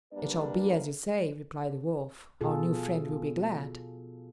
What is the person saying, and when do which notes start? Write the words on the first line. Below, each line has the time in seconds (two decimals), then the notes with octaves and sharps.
"It shall be as you say," replied the Wolf; "our new friend will be glad."
0.12 G3 A#3 D4 B4 D5
2.41 B2 F4 G#4 A4